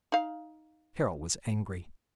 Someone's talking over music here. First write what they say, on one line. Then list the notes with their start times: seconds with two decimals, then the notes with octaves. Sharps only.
Carol was angry.
0.12 D#4 F5